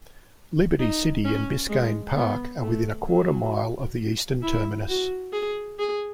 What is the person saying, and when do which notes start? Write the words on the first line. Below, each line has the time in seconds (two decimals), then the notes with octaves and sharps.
Liberty City and Biscayne Park are within a quarter mile of the eastern terminus.
0.79 D#4
1.25 C#4
1.70 G#3
2.16 B3
2.61 A3
3.06 F#3
4.43 E4
4.88 F#4
5.33 G#4
5.79 G#4